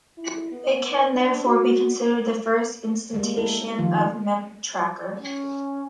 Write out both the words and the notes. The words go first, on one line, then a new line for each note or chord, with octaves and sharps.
It can, therefore, be considered the first instantiation of a memetracker.
E4
B3
B3
D4
F#4
G3 G#3 A#3
E4 A4 A#4
D#3 F3 F4
C#4